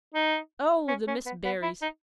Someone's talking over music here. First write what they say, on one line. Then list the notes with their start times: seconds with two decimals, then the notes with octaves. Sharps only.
Oh, the Miss Berrys!
0.14 D#4
0.88 C#4
1.08 C#4
1.26 B3
1.45 B3
1.63 E4
1.82 D#4